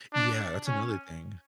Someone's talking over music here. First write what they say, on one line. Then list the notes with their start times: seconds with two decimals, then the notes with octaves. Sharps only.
Yeah, that's another thing.
0.14 D4
0.66 C#4